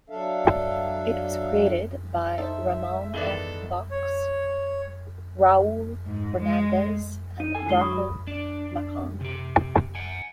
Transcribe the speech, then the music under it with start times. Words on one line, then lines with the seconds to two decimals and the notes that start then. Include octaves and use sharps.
It was created by Ramon F. Bachs, Raul Fernandez and Darko Macan.
0.10 F#3 D4 A4 E5 F5
2.38 D#4 A4 C5 E5
3.14 E2 G#2 D#3 A4 B4 D5 E5 G7
3.91 C#5
6.06 G#2
6.38 G#3
7.40 D#4 D#7
7.55 A4 G#5
7.66 D3 G#3 E4 C7 G7
7.81 F#3 B5 C#6 D#6
8.27 D4
9.21 C3 G4
9.95 F#5 G#5